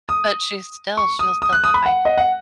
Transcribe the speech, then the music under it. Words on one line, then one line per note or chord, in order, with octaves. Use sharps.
But she's still she'll still walk by,
D#6
C#6
D#6
D#6
F#6
D#6
B5
F#5
D#5
F#5